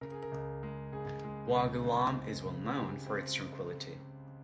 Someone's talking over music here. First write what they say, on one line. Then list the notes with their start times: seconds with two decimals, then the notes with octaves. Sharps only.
Bois-Guillaume is well known for its tranquility.
0.01 C#3 A#4
0.12 G#4
0.23 A#4
0.32 C#2
0.63 G#3
0.92 C#3 G#4
1.24 G#3
1.55 C#2
1.84 C#2
2.15 C4
2.45 C#3
2.76 G#3 G4
3.06 C4